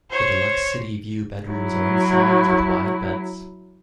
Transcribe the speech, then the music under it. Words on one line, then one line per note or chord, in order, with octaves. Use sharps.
The Deluxe City View bedrooms are in size with wide beds.
C5 C#5
F#3 E4